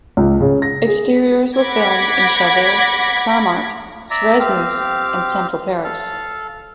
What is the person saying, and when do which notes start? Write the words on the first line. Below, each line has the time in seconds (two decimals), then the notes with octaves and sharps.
Exteriors were filmed in Chaville, Clamart, Suresnes, and central Paris.
0.17 C#2
0.40 C#3
0.62 A#6
0.87 G#4
1.56 F#5 B5 D6 G#6 A#6
4.11 D5 E5 A#5
4.39 C4 G4 F5
5.84 A4 F5